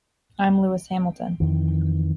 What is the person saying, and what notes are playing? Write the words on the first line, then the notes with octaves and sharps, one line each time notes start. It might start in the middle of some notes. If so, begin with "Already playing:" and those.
I'm Lewis Hamilton.
F2 D#3 E3